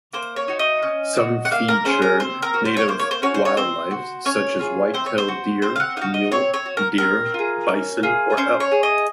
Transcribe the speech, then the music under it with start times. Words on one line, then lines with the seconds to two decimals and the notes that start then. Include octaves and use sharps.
Some feature native wildlife such as whitetail deer, mule deer, bison or elk.
0.13 A#3 C5
0.36 C#5
0.48 D#4 F#4
0.59 D#5
0.83 C#4
1.17 F#4
1.45 F#5
1.51 A#3 F5
1.68 A#4
1.85 C#4 G#4 C5
2.02 A#4
2.20 C4 C5
2.42 A#4
2.54 F#4
2.65 C5
2.77 C#5
2.88 A#3 C5
2.99 C#5
3.11 C5
3.22 C#4 F#4 C#5
3.34 C5
3.45 C#5
3.57 C4 C5
3.91 F#4
4.25 C#4 C#5
4.59 F4 G#4
4.94 C4 C5
5.06 C#5
5.18 C5
5.28 F#4
5.62 C4 C5
5.76 F5
5.80 F#5
5.97 D#4 F#4 F5
6.14 D#5
6.31 C4 C#5
6.54 C#5
6.66 F#4
6.77 A#4
6.98 C4 A#4
7.34 F4 G#4
7.68 C#4
8.03 F4 G#4
8.37 C#4 C5
8.60 C#5
8.71 G#4
8.83 D#5